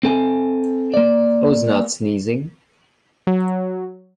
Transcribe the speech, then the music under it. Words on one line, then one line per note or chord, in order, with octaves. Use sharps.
I was not sneezing.
C4 A4 G#5
A#3 D5
F#3